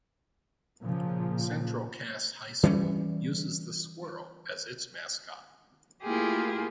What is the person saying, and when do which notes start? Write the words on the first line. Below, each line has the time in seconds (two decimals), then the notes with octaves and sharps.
Central Cass High School uses the squirrel as its mascot.
0.81 A#2 C#3 F3
2.63 E3 G3 B3 C#4
6.02 A3 A#3 E4 F4 G4 G#4